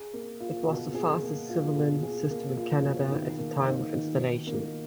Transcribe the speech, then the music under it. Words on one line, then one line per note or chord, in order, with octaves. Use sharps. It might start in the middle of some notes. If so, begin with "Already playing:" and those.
It was the fastest civilian system in Canada at the time of installation.
Already playing: G#4
A#3
F4
B2
G#4
A#3
F4
B2
G#4
A#3
F4
B2
D#3
A#3
D#4
D#3
D#3
A#3